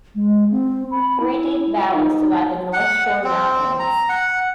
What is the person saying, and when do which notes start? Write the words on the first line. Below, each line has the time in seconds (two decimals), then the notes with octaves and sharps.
Three deep valleys divide the North Shore Mountains.
0.15 G#3
0.51 C4
0.91 B5
1.20 E4
1.75 F4
1.94 D#4
2.73 F#5
3.24 C4
3.79 A#5
4.09 F#5